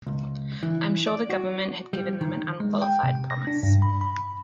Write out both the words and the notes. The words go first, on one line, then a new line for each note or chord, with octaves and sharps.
I'm sure the government had given them an unqualified promise.
C#2
E3
D5
F#4
G3
D#3
G#3
G5
C3
A#6
D4
G2
B5
B5